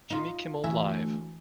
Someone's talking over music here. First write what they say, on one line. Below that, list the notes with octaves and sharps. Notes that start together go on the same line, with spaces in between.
Jimmy Kimmel Live!
D#4 F4
D2 E3 E4 E5 G#5